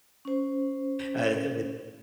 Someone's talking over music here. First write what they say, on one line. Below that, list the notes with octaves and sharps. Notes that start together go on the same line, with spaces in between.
uh, with
C#4 C5